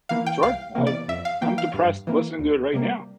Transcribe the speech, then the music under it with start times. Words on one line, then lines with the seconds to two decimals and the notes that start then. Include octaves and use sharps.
Sure, I'm I'm depressed listening to it right now.
0.09 E3 A#3 F5
0.26 G5
0.43 C2 F5
0.75 C3 E3 A#3
0.87 D5
1.08 F2 E5
1.25 F5
1.41 E3 A#3 G5
1.58 F5
1.74 G2
2.07 E3 A#3
2.39 D2
2.73 C3 G3 A#3